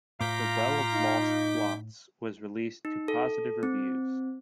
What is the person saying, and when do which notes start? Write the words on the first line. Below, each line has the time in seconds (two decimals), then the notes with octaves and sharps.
"The Well of Lost Plots" was released to positive reviews.
0.21 A2 F4 F5 A#5 D6 G6 B6
0.93 D#4
2.85 D#4
3.08 A4
3.63 C4